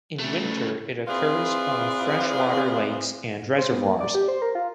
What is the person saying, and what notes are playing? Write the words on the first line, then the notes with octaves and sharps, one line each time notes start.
In winter, it occurs on freshwater lakes and reservoirs.
C#3 A3
C4 E4 F4 G#4 B4 D5
C5
B3
A#3
D5
G4
C5
A#4
F4